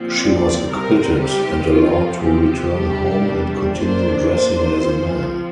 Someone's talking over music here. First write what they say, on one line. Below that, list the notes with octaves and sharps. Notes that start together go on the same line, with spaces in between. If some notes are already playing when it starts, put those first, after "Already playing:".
She was acquitted and allowed to return home and continue dressing as a man.
Already playing: A#2 F3 C4
D5
C3 G3 C4 A#4
G4
C3 F3 C4 F4
G4
C3 G3 D4
A#2 A#3 D4 C5
C5
F3 C4